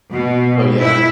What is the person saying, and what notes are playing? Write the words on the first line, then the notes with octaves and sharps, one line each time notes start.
Oh, yeah.
B2
E4